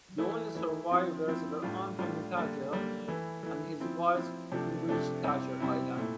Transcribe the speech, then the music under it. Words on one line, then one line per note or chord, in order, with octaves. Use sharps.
The only survivors were Antony Thacher and his wife, who reached Thacher Island.
E3 A3 E4
E3 A3 E4
F3 C4 E4
F3 C4 E4
A2 G3 D4 F4
A2 G3 D4 F4
D3 G3 A#3
D3 G3 A#3
E3 A3 E4
E3 A3 E4
F3 C4 E4
F3 C4 E4
C3 F3 A3 D4
C3 F3 A3 D4
C3 G3 C4 E4
C3 G3 C4 E4
A#2 A3 E4